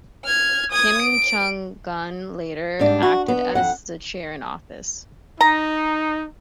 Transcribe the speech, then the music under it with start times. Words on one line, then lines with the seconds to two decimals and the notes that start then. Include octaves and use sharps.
Kim Chung Gun later acted as the Chair-in-Office.
0.25 F6 G#6
0.72 D#6 G#6
1.02 D7
2.79 G#2 G3 D4
3.02 F#4
3.28 B3
3.55 F2 F#5
5.41 D#4 A#5